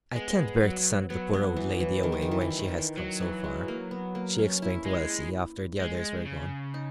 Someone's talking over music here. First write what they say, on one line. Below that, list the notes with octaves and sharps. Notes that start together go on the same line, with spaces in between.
"I can't bear to send the poor old lady away when she has come so far," she explained to Elsie, after the others were gone.
G#3 B3
F#3
F#3 B3
B3
E3
E3
D#3
E3
D#3
E3
D#3
E3
D#3
E3
D#3
D#3 F#3
E3
G#3
A#3
B3
A#3
C#4
E4
G#3
G#3
C#3
D#4